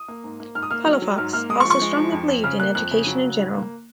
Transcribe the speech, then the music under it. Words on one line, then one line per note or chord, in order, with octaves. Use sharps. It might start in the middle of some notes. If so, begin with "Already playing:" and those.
Palafox also strongly believed in education in general.
Already playing: D#6
A#3
G#2
A#3
G#2 F6
D#6
A#3 F6
F#3
F#3
G#2 F6
A#3 F6
G#3 D#6
C#6
F3
C#6
G#3
F3
F2
F2
C#3 F6
A#3 F#6
F2 F#6
C#3
F#3
C#3
G#2
A#3